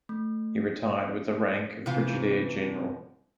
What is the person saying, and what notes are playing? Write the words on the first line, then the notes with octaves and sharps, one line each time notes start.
He retired with the rank of Brigadier General.
A3
C3 E3 F4